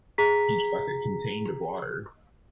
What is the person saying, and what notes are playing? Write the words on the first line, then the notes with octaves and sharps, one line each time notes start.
Each bucket contained of water.
G#4 A#5 B6